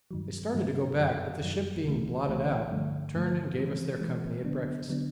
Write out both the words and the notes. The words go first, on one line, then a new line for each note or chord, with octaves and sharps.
They started to go back, but the ship being blotted out, turned and gave us their company at breakfast.
G2 D#3 F#3
G2 D#3 F#3
F#2 D#3 F#3
F#2 D#3 F#3
C2 C3 E3 A3
C2 C3 E3 A3
G2 D3 F3 A3
G2 D3 F3 A3
E3 G#3 C4
E3 G#3 C4
D3 F#3 B3 D4
D3 F#3 B3 D4